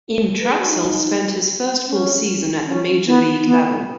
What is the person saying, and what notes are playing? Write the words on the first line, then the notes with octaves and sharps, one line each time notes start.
In Trachsel spent his first full season at the Major League level.
B4
G#4
F#4
D#4
C#4
C#4
B3
B3